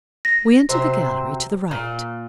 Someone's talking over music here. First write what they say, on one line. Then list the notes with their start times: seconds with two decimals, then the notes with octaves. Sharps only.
We entered the gallery to the right.
0.25 A#6
0.69 C3 F#3 C5
1.71 A#2